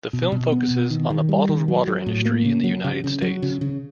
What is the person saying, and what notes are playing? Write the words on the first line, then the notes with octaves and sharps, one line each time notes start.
The film focuses on the bottled water industry in the United States.
B2
B2
B3
B2
D#3
D#3
G3
D#3
F#3
F#3
A2
A#3
C#3
F#3
C#3
C#3
F#3
C#3
C#3